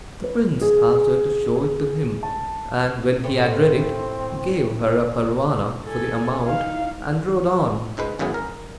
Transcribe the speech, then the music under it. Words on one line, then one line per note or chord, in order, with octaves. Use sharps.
The prince asked her to show it to him, and when he had read it gave her a parwana for the amount, and rode on.
B4
G#4
A5
A2 C4
A4 G#5
D#4 F5
C#2 G#2 G#3 B4
G#1 F#2 A2 B3 G#4
A#4